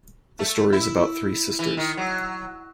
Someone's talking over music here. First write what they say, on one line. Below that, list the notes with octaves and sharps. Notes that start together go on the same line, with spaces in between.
The story is about three sisters.
A3
E4
E3
D#3
F#3